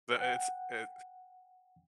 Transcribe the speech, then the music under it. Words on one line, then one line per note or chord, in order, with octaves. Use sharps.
the it's it
F#5 G5